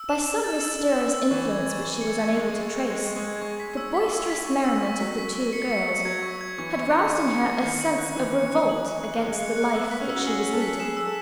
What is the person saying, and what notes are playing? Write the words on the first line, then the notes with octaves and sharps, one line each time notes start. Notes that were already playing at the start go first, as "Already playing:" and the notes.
By some mysterious influence which she was unable to trace, the boisterous merriment of the two girls had roused in her a sense of revolt against the life that she was leading.
Already playing: E6
E7
E7
A6
E6
E6
E6
E6
E3 C#6
G#6
G#6
C#6
C#7
G#6
G#3 G#6
C#6
C#6
G#3 G#6
C#6
G#3
G#6
G#3 C#6
B6
E6
B6
E6
B6
C#6
E6
C#6
F#3 B6
B6
C#6
C#7
C#7
C#7
F#3 G#6
C#6
G#6
E3 C#6
C#6
C#6
C#7
C#7
C#6
D#3 C#7
F#7
F#6
E3 F#6
C#7
F#6
F#7
F#6
F#6
G#3 F#6
C#7
F#6
B3 E6
B6
C#4
E6
F#4
G#4 E6
E6
A4
B6
G#4 E7
E6
A4